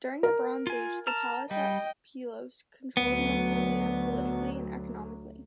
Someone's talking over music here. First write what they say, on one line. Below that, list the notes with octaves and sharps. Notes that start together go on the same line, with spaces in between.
During the Bronze Age the palace at Pylos controlled Messenia politically and economically.
A#4
F4 G#5
A5 A#5 F6
G3 D#5 G5
D2 F#3 B3